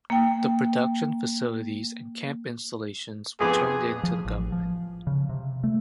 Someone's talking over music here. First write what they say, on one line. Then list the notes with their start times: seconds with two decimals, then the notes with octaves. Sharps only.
The production facilities and camp installations were turned in to the government.
0.10 A#3 G5
3.40 F2 B3 G#4 D6
4.03 F3
4.25 A1
4.52 F3
5.07 C#3
5.29 C3
5.64 A3